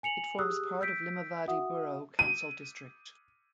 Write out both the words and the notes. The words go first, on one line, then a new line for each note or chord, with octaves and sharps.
It forms part of Limavady Borough Council district.
G#5 C#7 F7 F#7
G4 G#4 D#6 E6 F#6
E6 G6 B6 D7
F#4 E5 F#5 D#6
D#7